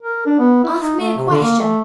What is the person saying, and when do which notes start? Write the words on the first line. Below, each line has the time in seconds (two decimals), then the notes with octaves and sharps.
"Ask me a question."
0.02 A#4
0.26 D4
0.39 B3
0.64 E4
0.82 D#4
1.00 A3
1.17 C3
1.30 D3
1.42 A#3
1.60 A3